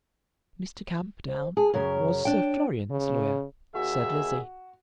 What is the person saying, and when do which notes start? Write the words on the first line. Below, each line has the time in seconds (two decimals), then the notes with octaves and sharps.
"Mr. Camperdown was Sir Florian's lawyer," said Lizzie.
1.27 C5
1.57 G#4 A5
1.74 F#2 C#3 A#4 C#5
2.25 D4 G5
2.91 C#3
3.75 D#2 F#4 G#4 E5